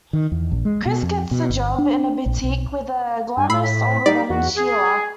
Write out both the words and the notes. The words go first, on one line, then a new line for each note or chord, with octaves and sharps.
Chris gets a job in a boutique with a glamorous older woman, Sheila.
D#3
E2
A#1
G#3
B2
F2
B2
G1
D4
A#1
B1
G2 G#5
A2 B5 E6 C7
B6
G3 D#4 D5
E2 F#4
G#4